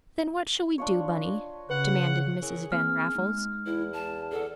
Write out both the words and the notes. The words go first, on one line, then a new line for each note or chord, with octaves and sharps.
"Then what shall we do, Bunny?" demanded Mrs. Van Raffles.
D4 F4 C#5
D#5
C#3 B4 F#5
E4 G#4 A#4 C#5
A#3 C4 F6
G#3 D#4
E2 E4
A5
G#4 A4 D5 F#5